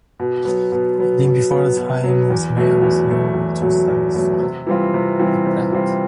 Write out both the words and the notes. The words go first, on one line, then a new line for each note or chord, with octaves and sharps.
Eating before the "time" of meals in order to satisfy the palate.
B2
F#3 B3
B2
F#3 B3
B2
F#3 B3
B2
F#3 B3
E2
B2 F#3 A3
E2
B2 F#3 A3
E2
B2 F#3 A3
E2
B2 F#3 A3
C3
E3 G3 C4 F4
C3
E3 G3 C4 F4
C3
E3 G3 C4 F4